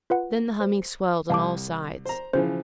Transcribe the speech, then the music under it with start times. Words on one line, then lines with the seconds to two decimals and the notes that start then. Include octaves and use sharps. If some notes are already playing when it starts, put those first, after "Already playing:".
Then the humming swelled on all sides.
0.10 F4 B4 F#5
0.60 C5
1.30 C2 F5 A5 D6
2.06 C5 A#5
2.33 C#3 E3 F3 C5